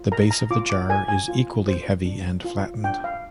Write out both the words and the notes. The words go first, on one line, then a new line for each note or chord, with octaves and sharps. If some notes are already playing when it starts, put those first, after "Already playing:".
The base of the jar is equally heavy and flattened.
Already playing: F4
A#4 A#5
A#5
F4 D6
D6
A#4 G#5
G#5
F4
C5
D4
F4
D4 G5
F5